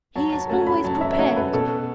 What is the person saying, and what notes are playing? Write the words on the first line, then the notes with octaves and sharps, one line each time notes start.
'He is always prepared!
F#3 A5
A5
A3 C#4 F#4 A5
B5
F#3 A5
E5
E5
A3 C#4 F#4 C#5
B4
B2 A4